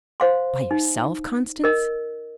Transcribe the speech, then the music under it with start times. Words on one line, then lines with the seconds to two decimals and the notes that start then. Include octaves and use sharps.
"By yourself, Constance?"
0.20 C5 F5 C6
0.71 D#4
1.64 A#4 D#5